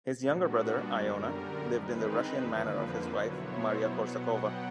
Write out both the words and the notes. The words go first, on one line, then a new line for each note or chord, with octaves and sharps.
His younger brother, Iona, lived in the Russian manor of his wife, Maria Korsakova.
A#2 G3 B3 D4 F#4
F#2 D3 G3 A#4
D#3 G#3 C4 D#4 B4
F2 D3 F3 A#3 B4
C5
B2 F#3 B3 E4 C#5
C5
B2 F#3 B3 F#5
G5